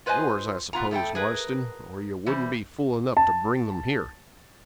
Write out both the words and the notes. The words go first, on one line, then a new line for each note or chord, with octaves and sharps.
Yours, I suppose, Marston, or you wouldn't be fool enough to bring them here.
F4 B4 C5 D#5 G#5
B2 B3 F4 A#5
F2 A3 A4 G5
G#4 A#4 B4
E3 G3 C5
A5